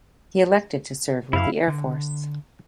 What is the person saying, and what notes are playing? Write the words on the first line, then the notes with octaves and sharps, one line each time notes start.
He elected to serve with the Air Force.
F#2 E4 F5
D3